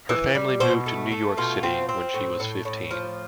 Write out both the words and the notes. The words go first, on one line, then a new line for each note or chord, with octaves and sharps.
Her family moved to New York City when she was fifteen.
E3
G3
B2 C5
A3
A3
B2 F4
C4
C4
A2
A2
A2
F3